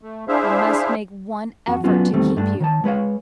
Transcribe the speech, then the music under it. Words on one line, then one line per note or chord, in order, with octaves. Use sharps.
I must make one effort to keep you....
A3
D4 E4 G#4 C5 E5 F5
F2 F#4
F#3 B3 C#4 D4 F4 F#4
E2 D#3 G3 A3 C4
G2 A3 D4
D#3 C#5 A5
G#3 B4 C#5 F5